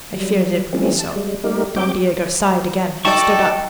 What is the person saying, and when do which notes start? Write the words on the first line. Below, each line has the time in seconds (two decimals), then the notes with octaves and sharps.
"I feared it would be so." Don Diego sighed again, and stood up.
0.14 F#3 G3
0.73 E3 F3 G3 A3 C4 C#4
0.99 A5
1.16 G3 G#3
1.44 G3 A3 A#3 D#4 G4 A#4
1.76 C4 F#4 G4 D6 G6
3.05 D#4 F#4 A4 D5 G5 A5 C#6